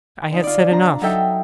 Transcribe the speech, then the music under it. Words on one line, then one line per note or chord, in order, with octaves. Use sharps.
I had said enough.
D3 D#4
F4 D5
D4 A#5
F#3 D#4 A4 E5 G5 E6